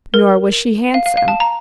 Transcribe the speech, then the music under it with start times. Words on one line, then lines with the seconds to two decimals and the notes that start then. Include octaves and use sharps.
Nor was she handsome.
0.14 A#4
0.94 F5
1.06 F5
1.17 F5
1.28 A5
1.40 A#5